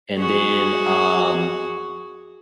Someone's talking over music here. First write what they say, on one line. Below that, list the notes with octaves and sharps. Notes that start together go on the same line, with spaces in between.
and then, um,
F#4 G#4